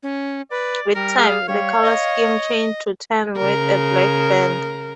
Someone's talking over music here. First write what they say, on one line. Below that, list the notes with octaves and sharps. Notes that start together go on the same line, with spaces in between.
With time, the colour scheme changed to tan with a black band.
C#4
B4 D5
G3 A#4
G#4 F5
G3 C#5 F5
D#5
C#3 A#4